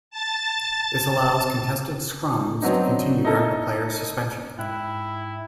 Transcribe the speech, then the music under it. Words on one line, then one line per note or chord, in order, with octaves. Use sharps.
This allows contested scrums to continue during the player's suspension.
A5 A6
F#3 B3 C4 D4 D#4
D#4 E4 A4 A#4
G#2 E4 G5 F#6